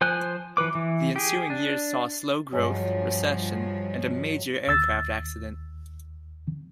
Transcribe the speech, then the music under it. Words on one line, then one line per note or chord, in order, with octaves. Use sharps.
The ensuing years saw slow growth, recession, and a major aircraft accident.
F3 C5 G#5 F#6
E3 F3 B4 D6
E3
G4 G#4
D4
G2 F3 F#3 G#3 D#5
D#2 E6 A6